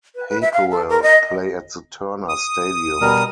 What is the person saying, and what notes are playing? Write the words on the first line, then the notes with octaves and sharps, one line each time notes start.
Hapoel play at the Turner Stadium.
B4
B4
E5
F5
A4
A#4
D#5
D#6
B2 G3 A#4